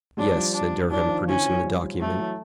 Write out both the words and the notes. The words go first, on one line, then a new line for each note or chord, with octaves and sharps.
"Yes," said Durham, producing the document.
F#3 G#3 D4
F3 G3
D4
E3 F#3 D4
D#3 F3
F3
D3 E3 C#4
F3
E3 F#3
F3 G3
F3 G3
F3 G3 A3
E3 F#3